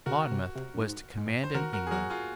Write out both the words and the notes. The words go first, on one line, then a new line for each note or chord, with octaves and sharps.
Monmouth was to command in England.
C#3 F#4 A#4
C3
C3
F#2
G#2
G#2
C5
D#3 F#4 A#4
F#4 A#4
G#4
F#3 F#4 A#4
F4 G#4